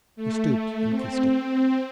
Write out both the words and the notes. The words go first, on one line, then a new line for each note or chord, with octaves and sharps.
He stooped and kissed it.
A3
C4